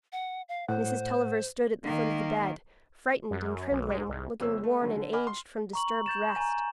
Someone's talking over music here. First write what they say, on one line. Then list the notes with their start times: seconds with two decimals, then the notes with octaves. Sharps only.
Mrs. Tulliver stood at the foot of the bed, frightened and trembling, looking worn and aged from disturbed rest.
0.12 F#5
0.49 F5
0.69 A2 C5 F#5
1.83 D#3 A#3
3.31 F#2
3.71 B1
3.88 G#2
4.09 C2
4.40 F#1 F2 B3 C5 C#5 E6
4.64 A3
4.81 D#2 D3 F#3
4.97 D3
5.13 D#5 F#5 G#5 B5 D6 F6
5.27 C6 C7
5.73 A#5 C#6 F#7
6.06 G6 A6 E7
6.36 G#5 A#5